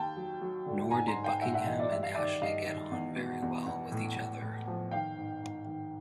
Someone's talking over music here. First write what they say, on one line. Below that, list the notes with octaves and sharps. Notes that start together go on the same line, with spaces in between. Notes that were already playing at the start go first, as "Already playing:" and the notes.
Nor did Buckingham and Ashley get on very well with each other.
Already playing: D#2 G5 A5
F#3
F#3
D3
G#2 G#5 A#5
A#5 C6
G#2
F5 G5
G#2 E5 F#5
E5 F#5
E3 D#5 F5
D5 E5
G2 E5
F5
D#3 D5 E5
G2 D#5 F5
D#3
E2
B2
E2
E2
A2
A2
A2
F3
D#3 F5 G5
G#2
G#2
D#3